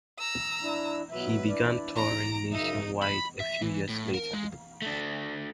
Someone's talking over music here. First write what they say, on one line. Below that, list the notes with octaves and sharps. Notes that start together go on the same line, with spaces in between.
He began touring nationwide a few years later.
A#5 E6
D4 E4
B2 F#3 B4 E5
D4 E4 D5
A#5 D7
F#2 C#3 D#4 E5
B5
E5
E3
A2
A#4
G#3
A3 D4